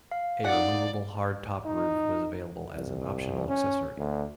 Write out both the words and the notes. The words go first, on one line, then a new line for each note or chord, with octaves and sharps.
A removable hardtop roof was available as an optional accessory.
F5
D#4 D5 F#5
D#4
C2
C#4
D2